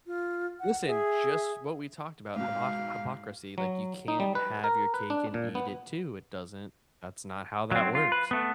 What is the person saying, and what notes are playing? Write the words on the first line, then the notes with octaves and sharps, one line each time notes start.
Listen, just what we talked about, hypo hypocrisy, like, you can't have your cake and eat it too. It doesn't that's not how that works.
F4
F#5
G#4 E5
G#2 B2 F5
F#3
D#4
G3
B4
A#4
B4
D4
A#2
B3
F#3 C4
F4
B4
A3 B3